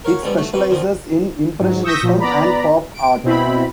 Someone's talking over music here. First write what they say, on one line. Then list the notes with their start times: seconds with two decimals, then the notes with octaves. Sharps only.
It specialises in Impressionism and Pop art.
0.04 A#4 C#5 F5 F#5 B5
0.22 G#2 B2 D3 G3 B3
0.37 A3 F#4
0.53 C4 F#4 B4
0.69 D3 D#3 F3 C4
1.60 G#2 F#3
1.83 C#6 D#6 E6 G6 A#6 B6
2.02 A#2 F3
2.19 B3 D5 A#5 B5
2.94 D7
3.23 B2 C4 E4 B5